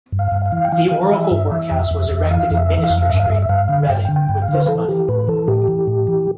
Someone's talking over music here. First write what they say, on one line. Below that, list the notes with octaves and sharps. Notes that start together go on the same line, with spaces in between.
The Oracle workhouse, was erected in Minster Street, Reading with this money.
G2
F5
G2
F5
E3
G5
E3 F5
E3
E3 E5
G2
E3 E5
F2
F2
F2
E3 F5
F2
E5
E3
F5
F2
G2 E5
F5
G2 E5
E5
G2 F5
D3
G2 G5
G5
D3
G5
G2
F5
D3
C5
B4
E3 A4
E3 G4
A2 B4
E3 A4
A2 G4
E3
A2
E3